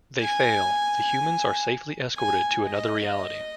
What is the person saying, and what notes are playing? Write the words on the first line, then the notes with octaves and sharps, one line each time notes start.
They fail; the humans are safely escorted to another reality.
G#5
G#5
D#5